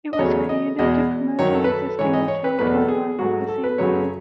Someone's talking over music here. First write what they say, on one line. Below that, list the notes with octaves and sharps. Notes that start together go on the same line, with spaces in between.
It was created to promote an existing Mattel toy line of the same name.
D#5
E2 C#3 F#3 A3 C#5
D#5
E2 B2 G#3 D#5
F#2 D#3 F#3 C#5
A4
B4
A4
G#2 E3 G#3 C#5
D#5
C#5
B4
E2 B2 F#3 A3 B4
A4
G#4
G#2 F#3 A3 F#4
A4
B4
F#2 C#3 F#3 A3 C#5